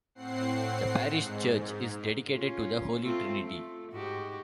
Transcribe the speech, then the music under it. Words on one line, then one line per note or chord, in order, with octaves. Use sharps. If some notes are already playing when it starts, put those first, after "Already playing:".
The parish church is dedicated to the Holy Trinity.
A2 C4 F#5 C7
G#2
C#4 F4
A3 C4 F4
A3
G#2 F#4 G4